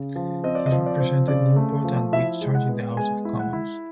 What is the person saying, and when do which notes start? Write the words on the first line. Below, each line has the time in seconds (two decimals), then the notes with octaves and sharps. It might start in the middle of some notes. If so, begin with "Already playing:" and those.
He represented Newport and Whitchurch in the House of Commons.
Already playing: C#3
0.16 F3
0.44 C4 D#5
0.55 D5
0.66 D#5
0.72 F3
0.86 D5
1.00 C4
1.28 C#3 D5
1.56 A3
1.84 F3
2.12 E4 E5
2.41 G#3
2.55 F#5
2.69 B3
2.97 G#3 G#5
3.25 E4
3.39 F#5
3.53 E4